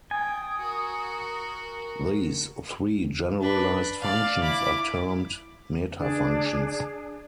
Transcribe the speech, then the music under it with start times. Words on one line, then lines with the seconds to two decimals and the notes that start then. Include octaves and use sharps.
These three generalised functions are termed "metafunctions".
0.11 G5 G#5 D#6
0.58 F#4 A#4
3.41 D4 B4
4.01 D5 F5
4.41 E4 D6
5.98 D4 G#4